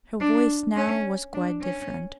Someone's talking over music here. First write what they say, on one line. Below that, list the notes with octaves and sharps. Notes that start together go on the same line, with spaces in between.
Her voice now was quite different.
D4
C#4
D4
C#4